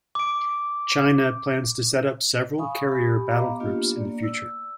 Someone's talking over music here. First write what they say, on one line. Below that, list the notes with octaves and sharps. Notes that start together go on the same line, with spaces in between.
China plans to set up several carrier battle groups in the future.
D6 D7
F5 G#5 B5 C#6 D#6
G4 B5
B3 D#5 F5 A#5 D6
A#3 B3 D4 F4 G4
A#3 D5
E6